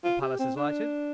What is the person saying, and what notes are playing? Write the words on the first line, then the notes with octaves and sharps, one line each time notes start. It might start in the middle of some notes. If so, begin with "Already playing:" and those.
The palace is lighted.
F4
G4
C4
D4